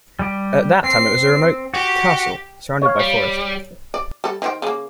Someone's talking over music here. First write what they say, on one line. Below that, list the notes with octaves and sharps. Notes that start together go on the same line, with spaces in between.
At that time it was a remote "castle", surrounded by forest.
G3 G4
C4 C7
F#4 G4
C#5 F5
G3
D5
G3 A4
D#3 C5 G5
C#3 A#3